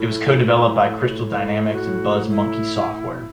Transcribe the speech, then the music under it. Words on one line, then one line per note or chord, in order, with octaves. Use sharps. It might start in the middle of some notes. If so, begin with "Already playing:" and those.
It was co-developed by Crystal Dynamics and Buzz Monkey Software.
Already playing: A2 E4
A2
E4
F#4
E4
G2
A2
B2